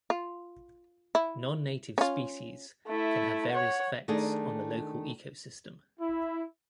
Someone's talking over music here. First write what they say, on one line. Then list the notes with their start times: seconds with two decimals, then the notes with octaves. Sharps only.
Non-native species can have various effects on the local ecosystem.
0.10 F4
1.15 E4
1.98 C#4 F4
2.87 A3 E4
3.50 C#5 F#5
4.08 D#3 A3 D4 D#4 G#4
6.00 E4